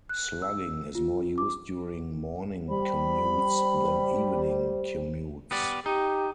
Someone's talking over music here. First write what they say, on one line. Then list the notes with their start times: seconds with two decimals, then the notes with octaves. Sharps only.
Slugging is more used during morning commutes than evening commutes.
0.09 F#6
0.42 E6
0.95 F4
1.38 D6
2.69 G3 C5 B5
5.51 B3 G4 D5
5.86 D#4 G4